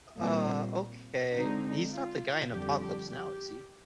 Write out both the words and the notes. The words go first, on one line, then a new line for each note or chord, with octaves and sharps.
uh, okay. He's not the guy in Apocalypse now, is he?
A#2 G3 C4
D3 G#3 C4 D#4
F4
F2 D3 G3 D4 G4
G4
G4